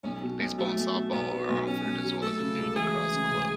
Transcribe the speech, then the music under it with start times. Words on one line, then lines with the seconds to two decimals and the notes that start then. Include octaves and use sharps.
Baseball and Softball are offered as well as a new Lacrosse club.
0.04 B1 C#4
0.22 B2
0.40 B1
0.58 F#3 A3
0.76 B1
0.94 B2
1.13 B1 B3
1.31 F#3
1.49 B1
1.67 B2 C#4
1.85 B1
2.04 F#3
2.22 A3 A4
2.40 C#3
2.58 C#2
2.76 E3 G#4
2.95 A3
3.12 C#3
3.31 C#2